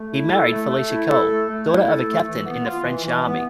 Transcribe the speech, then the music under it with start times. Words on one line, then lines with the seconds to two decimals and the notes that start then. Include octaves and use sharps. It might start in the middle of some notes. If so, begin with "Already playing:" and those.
He married Felicia Colle, daughter of a captain in the French Army.
Already playing: A3
0.13 E4
0.31 A4
0.51 A3
0.70 A3
0.90 E4
1.09 A4
1.30 A3
1.49 A3
1.68 E4
1.87 A4
2.07 A3
2.27 E3
2.46 B3
2.65 F4
2.85 E3
3.04 E3
3.23 B3